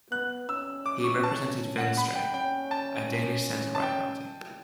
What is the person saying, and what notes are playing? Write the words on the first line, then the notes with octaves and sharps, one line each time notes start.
He represents Venstre, a Danish centre-right party.
B3 F#6
C#4 E6
D6
C#6
A5
F#5
B5
G5
C#4 G5
A5
A5
G5